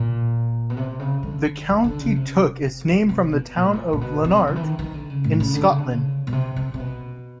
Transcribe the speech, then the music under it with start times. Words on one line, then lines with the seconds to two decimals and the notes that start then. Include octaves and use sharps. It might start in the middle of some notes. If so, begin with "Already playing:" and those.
The county took its name from the town of Lanark in Scotland.
Already playing: A#2
0.70 B2
0.77 C3
0.99 C#3
1.23 D3
1.70 D3
1.84 D3
2.00 C#3
2.16 C3
3.09 C3
3.31 B2
3.55 A#2
3.64 A2
3.73 A#2
3.93 A#2
4.01 B2
4.24 C3
4.47 D3
4.56 E3
4.63 D#3
4.79 D#3
4.94 D3
5.10 C#3
5.24 A2
5.40 C#3
5.53 D3
5.66 C#3
5.78 D3
5.91 C#3
6.27 B2
6.32 C3
6.56 C3
6.74 C3
6.79 B2